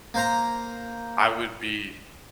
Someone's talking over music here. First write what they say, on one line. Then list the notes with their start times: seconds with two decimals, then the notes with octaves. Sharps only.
I would be
0.14 A#3 C5 A#5